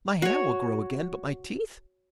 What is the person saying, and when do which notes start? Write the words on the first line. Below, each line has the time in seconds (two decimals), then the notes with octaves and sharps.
My hair will grow again, but my teeth!
0.22 F#4 C#5